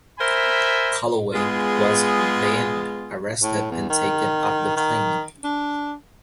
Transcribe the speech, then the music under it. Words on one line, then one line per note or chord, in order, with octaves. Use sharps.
Calloway was then arrested and taken off the plane.
A#4 C5 E5 G#5 B5
G#3 B3 F4 G#4
A2
E2
D#3
D#3
D4